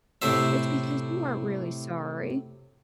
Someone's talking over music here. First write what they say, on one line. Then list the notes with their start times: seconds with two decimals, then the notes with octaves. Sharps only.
it's because you aren't really sorry
0.22 A2 C3 C5 E5